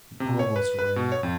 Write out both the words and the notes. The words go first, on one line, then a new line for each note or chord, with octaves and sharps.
He almost ran.
C3
C#5
B4
B4
B2
C#5
F2